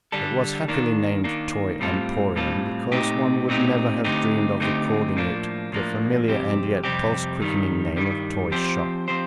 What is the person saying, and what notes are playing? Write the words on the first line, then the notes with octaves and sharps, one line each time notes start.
It was happily named Toy Emporium, because one would never have dreamed of according it the familiar and yet pulse-quickening name of toyshop.
D3 G3 D4 A4
D#3 A#3 D4
D#3 A#3 D4
A2 G3 C4 F4 A4
A2 G3 C4 F4 A4
A#2 A3 C4 D#4 G4
A#2 A3 C4 D#4 G4
D3 A3 C4 D#4 G4
D3 A3 C4 D#4 G4
A2 F3 A#3 D4
A2 F3 A#3 D4
F2 C3 G3 C4 G4
F2 C3 G3 C4 G4
G2 D#3 G3
G2 D#3 G3
F3 C4 G4 C5
F3 C4 G4 C5